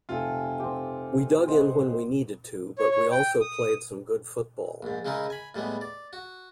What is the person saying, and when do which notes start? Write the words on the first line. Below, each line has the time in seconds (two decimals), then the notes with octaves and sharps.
We dug in when we needed to but we also played some good football.
0.09 F1 C3 F4 A4 G#5
0.60 C4 G4
1.48 C5 D#5 F#5
2.78 C#5
2.91 C#5
3.11 G5
3.41 D#6
4.83 A#1 G#2
5.05 C#3 G#3 D#4 E4 A#4
5.30 G#5 B5
5.55 A2 G3 G#3 B3
5.81 D5
6.13 F#4